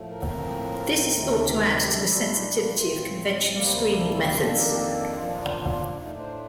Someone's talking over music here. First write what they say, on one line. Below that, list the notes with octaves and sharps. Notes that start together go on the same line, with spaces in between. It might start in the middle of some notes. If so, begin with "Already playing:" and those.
This is thought to add to the sensitivity of conventional screening methods.
Already playing: A2 F3 A3
A#4
A2 F3 C4
D2 C3 D#3 A3
G4
A#2 G3 D4 A4
G4
F4
D#4
F4
A2 A3 C4
D2 C3 G3 A#3 G4
C5
A#4
A4
F4
G4
F2 D#3 A#3 D4 A4
A#4
G4
A4
A#2 F3 A#3 D4 F4
A2 A3 D4 D#4
C5